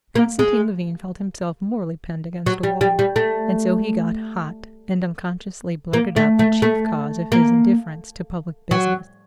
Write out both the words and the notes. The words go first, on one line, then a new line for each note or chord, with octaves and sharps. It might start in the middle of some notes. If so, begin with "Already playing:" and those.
Konstantin Levin felt himself morally pinned against a wall, and so he got hot, and unconsciously blurted out the chief cause of his indifference to public business.
A#3
G#3
F#3
G3
G3
G3
A3
A#3
A3
A3
A3
A#3
F#3